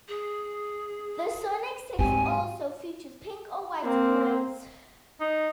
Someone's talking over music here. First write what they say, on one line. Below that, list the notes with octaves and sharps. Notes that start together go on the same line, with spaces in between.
The Sonic Six also features pink or white noise.
G#4
G#2 F#3 C4 G4 G#5
A#3 C4
D#4